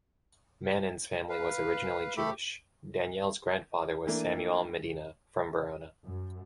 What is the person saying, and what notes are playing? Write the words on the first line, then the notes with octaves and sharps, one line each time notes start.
Manin's family was originally Jewish: Daniele's grandfather was Samuele Medina, from Verona.
B4 F5
A3 G4 A4 B5
E3 A3 A#3 D4
F#2